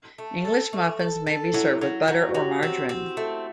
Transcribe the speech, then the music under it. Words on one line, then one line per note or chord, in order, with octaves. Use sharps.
English muffins may be served with butter or margarine.
A3
A4
A3
A4
A4
F#3 E4
F#3
F#3
F#4
F#3 G4
C4
C4
A3